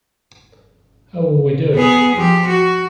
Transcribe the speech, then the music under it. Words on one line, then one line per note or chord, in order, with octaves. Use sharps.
How will we do it?
B3 G#4
F3 G4
F#4